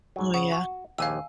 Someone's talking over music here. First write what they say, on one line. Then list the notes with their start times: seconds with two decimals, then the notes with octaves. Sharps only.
Oh yeah.
0.16 G#2 F#3
0.34 C#3 F#5
0.52 F#4
0.98 A#1 D#2 G4 F5 G#5 E6